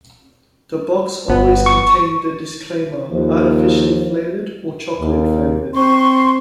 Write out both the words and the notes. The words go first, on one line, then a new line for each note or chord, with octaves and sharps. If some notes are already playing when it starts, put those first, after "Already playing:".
The box always contained the disclaimer "artificially flavored" or "chocolate flavored".
G1 B3
C#6
D#2 F3
D#2
C4 C6 C#6